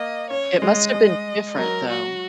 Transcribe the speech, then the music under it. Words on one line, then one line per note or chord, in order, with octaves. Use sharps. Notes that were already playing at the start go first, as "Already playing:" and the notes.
It must have been different, though.
Already playing: A#3 D#5
C#4 C#5
G#3 D#5
G#3
F#3 A#4
F#4